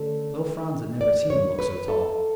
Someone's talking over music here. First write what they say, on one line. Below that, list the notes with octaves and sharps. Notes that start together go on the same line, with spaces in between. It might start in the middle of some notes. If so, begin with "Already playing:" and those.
Little Franz had never seen him look so tall.
Already playing: D3 A3 C#4
D5
C#5
B4
A4